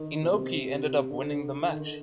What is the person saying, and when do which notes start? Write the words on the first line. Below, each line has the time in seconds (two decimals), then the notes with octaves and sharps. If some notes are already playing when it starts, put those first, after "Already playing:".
Inoki ended up winning the match.
Already playing: D#3
0.23 B2
0.31 C3
1.10 D3
1.60 D3
1.70 D#3
1.80 D3